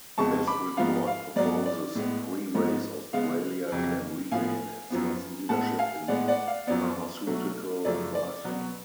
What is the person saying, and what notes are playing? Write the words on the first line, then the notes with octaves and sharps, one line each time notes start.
This report proposes three ways Australia can regain its lost leadership in pharmaceutical pricing.
F2 C#3 G#3 B3 A5 C#6
B5 D6
G#2 F3 B3 F5
F5
G#2 F#3 B3 D5
D5
A2 G#3 B3
G#2 F3 G#3 B3
C#3 G#3 B3 F5
F2 C#3 F#3
A2 F3 B3 F5 G#5
F#2 F3 B3
A2 G#3 B3 F#5 A5
F5 G#5
A2 G#3 B3 D5 F#5
D5 F#5
F5
F#2 F3 B3 D5
B2 F#3 A3
F#2 C#3 F3 A3 D5
D5
B2 F#3 B3